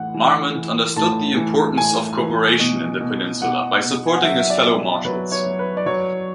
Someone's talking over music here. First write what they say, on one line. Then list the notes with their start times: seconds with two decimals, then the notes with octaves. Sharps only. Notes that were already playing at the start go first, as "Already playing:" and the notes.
Marmont understood the importance of cooperation in the Peninsula by supporting his fellow marshals.
Already playing: A2 E3 F#5
0.14 E3
0.55 E3
0.96 A2 A5
1.37 E3
1.78 A2 G#5
2.18 E3
2.59 B2
3.00 B2
3.41 B2 F#5
3.82 B2
4.07 G#5
4.15 F#5
4.23 F#3 E5
4.40 E5
4.50 D5
4.64 B2
5.05 F#3 B4
5.32 C#5
5.46 F#3
5.59 B4
5.77 D5
5.86 F#3 C#5